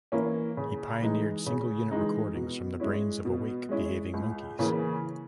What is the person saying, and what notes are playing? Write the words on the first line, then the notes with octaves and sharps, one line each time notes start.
He pioneered single-unit recordings from the brains of awake, behaving monkeys.
E3 A#3 C#4 E4
C#3
E3 G#3 D#4
C#3
E3 G#3 D#4
B2
G#3 C#4 E4
B2
G#3 C#4 E4
C#2
C#3 E3 A#3